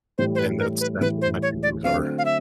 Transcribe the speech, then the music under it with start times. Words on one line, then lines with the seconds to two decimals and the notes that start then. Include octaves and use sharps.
And that's that's what my feelings are.
0.18 A2 E3 G3 C5
0.35 C5
0.39 B4
0.59 A#4
0.80 B4
1.01 A2 E3 G3 B4
1.22 C5
1.42 C#5
1.63 D5
1.84 D3 F#3 A3 C4 F5
2.18 F5
2.25 E5